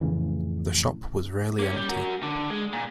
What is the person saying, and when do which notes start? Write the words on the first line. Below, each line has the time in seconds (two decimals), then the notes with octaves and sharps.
The shop was rarely empty.
0.01 F2 A2 C#3 E3
1.59 A#3 C#4
1.76 G3
1.89 F#4 A#4
2.23 D3
2.50 G#3
2.73 A#2